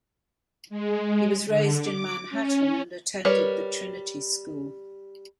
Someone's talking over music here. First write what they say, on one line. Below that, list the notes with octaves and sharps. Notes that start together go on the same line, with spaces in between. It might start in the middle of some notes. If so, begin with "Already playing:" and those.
He was raised in Manhattan and attended the Trinity School.
G#3
D3
D6
C#4
G3 A#4 B4 C#5